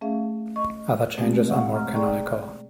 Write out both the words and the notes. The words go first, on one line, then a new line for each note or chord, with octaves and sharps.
Other changes are more canonical.
A3 C#4 G#4 E5 F5
D#5 C#6
B2 G#3 A3 C4 G4
D#5 F5 F#5 C#6
A#5 F6
G#4 D5 G5 A#5 C6 C#6